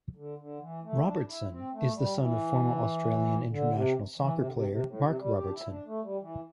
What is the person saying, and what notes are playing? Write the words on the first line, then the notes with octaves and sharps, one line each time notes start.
Robertson is the son of former Australian international soccer player Mark Robertson.
D3
D3
E3
A3
E4
D4
E4
C4
A3
G3
E3
D3
C3
E3
C3
D3
C3
C3
A2
C3
G3
G4
D4
E4
D4
A3
G3
E3